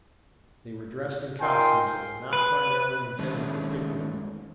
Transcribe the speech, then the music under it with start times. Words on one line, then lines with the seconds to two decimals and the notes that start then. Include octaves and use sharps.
They were dressed in costumes that were not primarily intended for picnic going.
1.40 D#4 F4 A#4 G5 G#5 C6
2.33 B4
3.19 D#3 G#3 A3 C#4 D4